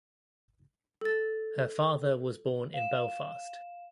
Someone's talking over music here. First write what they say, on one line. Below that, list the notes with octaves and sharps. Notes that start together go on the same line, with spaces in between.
Her father was born in Belfast.
A4 A6
F5 E7